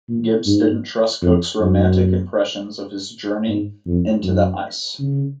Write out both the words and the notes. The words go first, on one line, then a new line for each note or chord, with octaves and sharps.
Gibbs didn't trust Cook's "romantic" impressions of his journey into the ice.
A#2
G#2
F2
F#2
G#2
F2
F#2
C#3